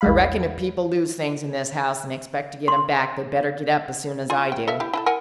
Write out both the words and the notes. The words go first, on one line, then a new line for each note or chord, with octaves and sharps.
"I reckon if people lose things in this house and expect to get 'em back, they better get up as soon as I do."
A#1 E2 G3 G#3 F5 B5
C6
F4 G#4
G5
A4 E5 F5
E4 G4
E4 G#4 A4
A#4 F#5 G#5